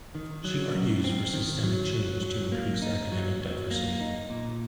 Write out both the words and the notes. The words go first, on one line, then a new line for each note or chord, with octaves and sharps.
She argues for systemic change to increase academic diversity.
D#3
F#3
F#2
C4
D#3
F#3
F#3
F#3
A#3
D#4
F#3
F#3
A#3
D#4
A#2